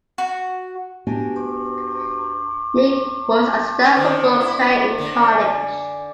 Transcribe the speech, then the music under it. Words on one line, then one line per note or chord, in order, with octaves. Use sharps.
Meek was a star football player in college.
F#4
B3 D4 F#4 G4 G#5
D3 D#3 C5
E4
D3
G#5